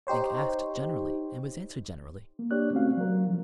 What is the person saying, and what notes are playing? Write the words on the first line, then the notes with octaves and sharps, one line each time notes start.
Link asked generally, and was answered generally.
D#4 G4 C5 C#5
A#3
A#3 D4 G4 C#5 D5 F#6
A3 C4 C#4 F#4 F5
F#3 A#4
F3